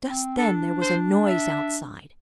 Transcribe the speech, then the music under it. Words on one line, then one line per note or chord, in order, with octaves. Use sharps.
Just then there was a noise outside.
C4
D4 A4
C5
E5